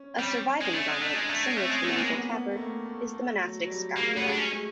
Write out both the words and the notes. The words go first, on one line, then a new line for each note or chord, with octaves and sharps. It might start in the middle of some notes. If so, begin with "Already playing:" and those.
A surviving garment similar to the medieval tabard is the monastic scapular.
Already playing: C#4
C4
G3 C#4
G#3 D4
A3
G#3 D#4
A3
G#3 D4
A3
G#3 C#4
A3 C4
G#3 C#4
A3 B3
G#3 A#3
B3
B3
A3
A#3
A3
A3
F#3
F#3
G3
G#3 A#3
A3
B3
G#3
D4
A3 C#4
G#3